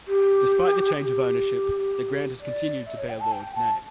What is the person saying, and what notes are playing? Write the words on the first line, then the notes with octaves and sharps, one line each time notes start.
Despite the change of ownership, the ground has continued to bear Lord's name.
G4
G4
D5
E5
C#5
G5
A5
G5
A5